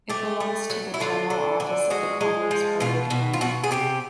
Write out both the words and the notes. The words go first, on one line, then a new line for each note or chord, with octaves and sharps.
It belongs to the General Office of the Communist Party of China.
A3 G4
A3
F#3
E4
D3 F4
D3
D3
G#3 F#4
G#3
F3
B2 F4
B2
F4
B2 F#4
G#4
C3 G4